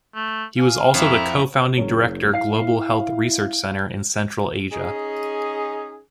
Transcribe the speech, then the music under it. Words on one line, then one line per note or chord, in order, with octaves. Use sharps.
He was also the co-founding director Global Health Research Center in Central Asia.
A3
F5 G#5
F2 E4 A#5
F#1 F#3 C#4
E4 F5 C7
C#4 D#4 G#4